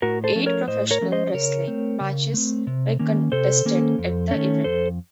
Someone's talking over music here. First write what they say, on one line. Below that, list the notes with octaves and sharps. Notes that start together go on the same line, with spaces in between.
Eight professional wrestling matches were contested at the event.
A2 F#4 A#4
A4 C5
F3 A3 C#4
A#4 C#5
A2 C5 D#5
A#4 C#5
F3 A3 C#4
C5 D#5
D#5
C#3 A#4 C#5
A3 C4
C#3
A3 C4
C3
D#3 A#3 C#4
C3 A4 C5
D#3 A#3 C#4
F2
D#3 A3 C#4
F2 A4 C5